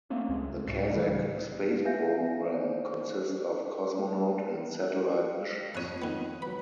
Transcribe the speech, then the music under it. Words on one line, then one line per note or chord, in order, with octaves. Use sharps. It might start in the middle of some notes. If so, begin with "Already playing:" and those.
The Kazakh space program consist of cosmonaut and satellite missions.
A3 A#3 C4 C#4
C#2 G#3
C#2 A2
C#3 E3 G3
B4 E5 F5 G#5 G6 A#6
C5 D5
F2 C#5 A5 F#6 D#7
D#3 B3
F#3 B4 B5